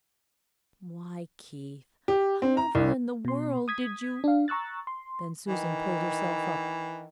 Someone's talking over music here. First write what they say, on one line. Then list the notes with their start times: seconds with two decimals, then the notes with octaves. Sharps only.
"Why, Keith, however in the world did you--" Then Susan pulled herself up.
2.08 G4
2.42 C4
2.57 A#5
2.75 C2
3.25 B2 C6
3.68 D#6 G#6 B6
4.24 D4 F5
4.48 A#5 C#6 E6 F#6 A6
4.87 C6
5.49 D#3 E3